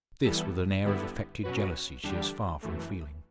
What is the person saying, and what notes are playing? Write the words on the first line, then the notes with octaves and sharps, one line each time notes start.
This, with an air of affected jealousy, she is far from feeling.
E3 G3 B3 E4 A4
G2 D3 G3 B3 E4
B2 F#3 C#4 F#4 B4
E2 D3 G3 D4 G4
F#2 E3 A3